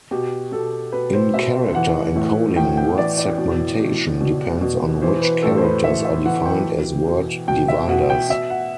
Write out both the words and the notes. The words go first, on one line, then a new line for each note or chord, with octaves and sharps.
In character encoding, word segmentation depends on which characters are defined as word dividers.
B2 G4
B2 A4
B2 B4
C5
B2 E5
E3 F#5
A2
A2 G5
G5
E3 D5
D5
B2
B2
B2
B2
E3 C5
B4
A2 A4
C5
B4
A2 E5
E5
E3 F#5
G5
B2
B2
B2 G5
E5
B2 F#5
G5
B2 E5
F#5